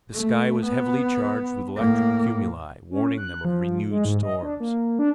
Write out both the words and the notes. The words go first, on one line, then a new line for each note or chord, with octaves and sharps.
The sky was heavily charged with electric cumuli, warning them of renewed storms.
A3
B3
A2 A#3
C#4
F#6
F3
G#3
G#2
D#5
D4
A#3
D4